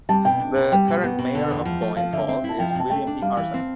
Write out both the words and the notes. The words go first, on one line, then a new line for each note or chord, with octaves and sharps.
The current Mayor of Boyne Falls is William P. Carson.
G3 A5
B2 G5
D4
B2
G3 G5
B2
B3
B2
D3
E2
F3
A3
F3 F5
D3 E5
C4 E5
E4 A5
F3 G5
G5
C3 A5
A3 G5
D4
G3 F5
E3
C4